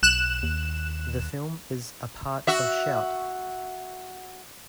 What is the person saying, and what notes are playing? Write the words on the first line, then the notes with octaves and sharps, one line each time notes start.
The film is a part of Shout!
B1 F#6 E7
D#2
F#4 E5